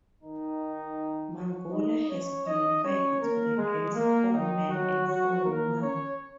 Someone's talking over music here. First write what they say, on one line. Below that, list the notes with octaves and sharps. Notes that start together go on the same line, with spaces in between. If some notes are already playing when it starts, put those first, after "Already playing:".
Mongolia has qualified to the games four man and four woman.
D#3 D#4
F#3 F#4
D#4 D#5
C#4 C#5
D#4 D#5
C#4 C#5
A#3 A#4
G#3
A#3
D#3 D#4
F#3 F#4
F#3 F#4
A#3 A#4
C#4 C#5